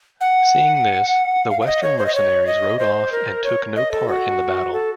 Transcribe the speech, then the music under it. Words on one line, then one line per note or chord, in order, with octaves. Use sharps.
Seeing this, the Western mercenaries rode off and took no part in the battle.
F#5
F5
F5
D#5
C#5
C5
D#5
C#5
D#5
C5
A#4
C#5
D#5
A4
F#4
A4